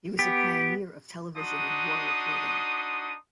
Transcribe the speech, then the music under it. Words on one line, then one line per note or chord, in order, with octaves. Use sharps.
He was a pioneer of television and war reporting.
B3 G4
D4 D#4 F#4 C6 D#6